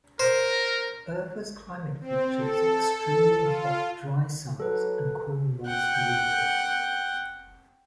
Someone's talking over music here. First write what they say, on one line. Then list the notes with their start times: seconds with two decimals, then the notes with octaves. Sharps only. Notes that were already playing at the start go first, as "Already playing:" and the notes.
Urfa's climate features extremely hot, dry summers and cool, moist winters.
0.20 A#4 C5
2.01 C4
2.37 A4
3.43 F4
4.60 F#3 A4 B4
5.67 F#5 G5